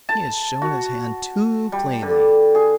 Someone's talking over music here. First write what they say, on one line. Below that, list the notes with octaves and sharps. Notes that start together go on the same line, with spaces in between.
He has shown his hand too plainly.
A5
F#4
G3
D3
G#4